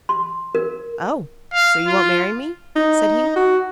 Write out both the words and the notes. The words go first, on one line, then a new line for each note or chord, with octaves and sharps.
'Oh! so you won't marry me?' said he.
C6
A#4
F5
F4
D#4
F#4